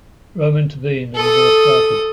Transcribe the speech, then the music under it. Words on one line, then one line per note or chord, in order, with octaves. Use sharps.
Rome intervened and the war started.
A4 D#6